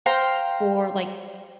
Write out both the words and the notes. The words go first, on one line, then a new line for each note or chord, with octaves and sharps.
for, like,
C5 F5 G5 A#5